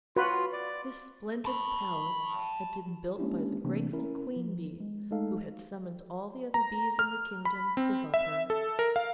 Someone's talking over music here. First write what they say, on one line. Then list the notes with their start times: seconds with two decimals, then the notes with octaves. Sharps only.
This splendid palace had been built by the grateful queen bee, who had summoned all the other bees in the kingdom to help her.
0.16 F4 F#4 B4
0.53 D5
1.45 A5 B5
3.18 G#3 A#3 C#4 D4 E4 G4
3.64 C3 E3 A3 A#3 C4 D4
3.93 C#4 E4 A#4
4.36 F3
4.80 G#3
5.11 G#3 A3 D#4 A4 F5
6.54 A#5
6.99 F6
7.45 B5
7.77 C4
8.14 E5
8.50 A4
8.79 A#4
8.96 F5